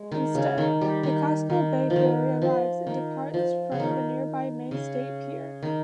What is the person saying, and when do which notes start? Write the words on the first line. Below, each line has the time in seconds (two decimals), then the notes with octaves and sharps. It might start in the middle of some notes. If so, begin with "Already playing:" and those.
Instead, the Casco Bay Ferry arrives and departs from the nearby Maine State Pier.
Already playing: G#3
0.12 D#3
0.35 C#3
0.58 D#3
0.81 G3
1.03 D#3
1.50 D#3
1.90 F3
1.96 D#3
2.42 F3
2.87 D#3
3.34 F3
3.72 C#3
3.80 D#3
4.71 C#3
5.63 D#3